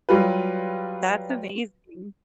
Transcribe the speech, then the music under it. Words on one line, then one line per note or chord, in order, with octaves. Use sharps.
That's amazing.
F#3 G3 F4 B4